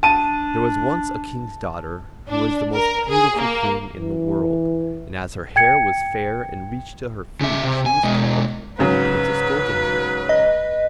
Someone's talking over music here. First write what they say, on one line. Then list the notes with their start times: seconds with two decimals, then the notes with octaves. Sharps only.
There was once a King's daughter who was the most beautiful thing in the world, and as her hair was fair and reached to her feet she was called the Princess Goldenhair.
0.03 D4 A5 D#7
2.28 D4
2.74 A#4
3.08 G#4
3.38 A#3
3.97 E3
5.56 G5 G#6 C#7
7.41 C#3 E5
7.64 C3
7.86 G#5
8.03 B2 G#3
8.79 G#2 C#3 F#3 B4
10.29 D#5